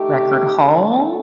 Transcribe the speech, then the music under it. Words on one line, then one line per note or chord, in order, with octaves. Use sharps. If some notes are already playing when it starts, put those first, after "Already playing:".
Record haul?
Already playing: A3 D#4 G4
A2 A3 D#4 A4